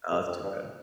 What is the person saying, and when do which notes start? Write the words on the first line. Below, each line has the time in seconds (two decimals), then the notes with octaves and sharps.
Oh, that's too bad.
0.11 C3
0.27 F2
0.43 G2